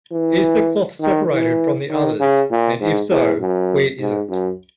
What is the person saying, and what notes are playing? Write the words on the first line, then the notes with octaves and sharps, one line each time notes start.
Is the cloth separated from the others, and if so where is it?
E3
D#3
E3
D#3
C#3
A#2
G#2
E2
F#2
G#2
F#2